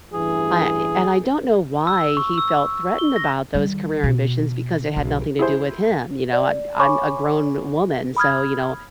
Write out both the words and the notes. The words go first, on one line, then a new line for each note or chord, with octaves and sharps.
I and I don't know why he felt threatened about those career ambitions, because they had nothing to do with him, you know, I'm I'm a grown woman, so, you know,
A1 G2 E3 G#4
E6
C#6
E6
G7
A#6
D#3 G3
B2
B1
E4 G#4 C5
D5
C#5 G#5 B5 C#6 D6
B5 D#6 F6 G#6